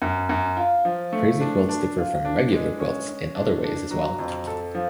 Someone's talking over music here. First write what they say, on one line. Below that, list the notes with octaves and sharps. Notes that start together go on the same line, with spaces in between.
Crazy quilts differ from "regular" quilts in other ways as well.
F#2
F#2
F4
F3
A3
D4
D4
F4
D4
G#3
C#4
C#4
D4
D4
F#3
F2
A4
F3